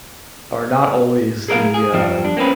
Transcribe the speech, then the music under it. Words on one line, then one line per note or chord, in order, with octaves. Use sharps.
are not always the uh
G#4 A#4 D5 F5
G#4
F2 F3 G3 C4
D4
A#3 C4 C#4 B4